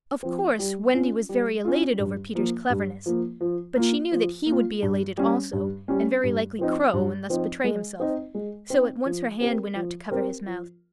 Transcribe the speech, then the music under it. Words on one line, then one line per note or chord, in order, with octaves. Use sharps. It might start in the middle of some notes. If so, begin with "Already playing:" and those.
Of course Wendy was very elated over Peter's cleverness; but she knew that he would be elated also and very likely crow and thus betray himself, so at once her hand went out to cover his mouth.
F3 C4
G3
C#4 F4
G3
C#4 F4
G2
F3 A#3
G2
F3 A#3
F3
A#3 F4
F3
A#3 F4
G2
G3 C#4
G2
G3 C#4
G2
F3 C4 D#4
G2
F3 C4 D#4
G#3
C4 D#4
G#3
C4 D#4
F3
C4 G4 A#4
F3
C4 G4 A#4
F3